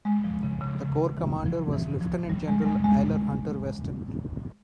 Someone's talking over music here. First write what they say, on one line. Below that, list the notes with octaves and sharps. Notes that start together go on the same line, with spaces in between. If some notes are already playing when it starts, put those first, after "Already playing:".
The corps commander was Lieutenant-General Aylmer Hunter-Weston.
G#3
F3
C#3
C#3
E3
F3
E3
F3
G3
G#3
G3
G#3
G#3